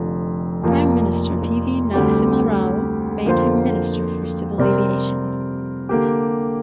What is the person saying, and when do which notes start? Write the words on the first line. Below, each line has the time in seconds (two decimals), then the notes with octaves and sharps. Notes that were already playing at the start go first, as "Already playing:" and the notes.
Prime Minister P. V. Narasimha Rao made him Minister for Civil Aviation.
Already playing: F1 F2 D3 F3
0.62 F1 F2 F3 A#3
1.94 D2 D3 G3 C4 G4
3.26 F2 D3 A#3 F4 C5
4.58 C3 G3 C4 A#4 D5
5.89 D3 A#3 G4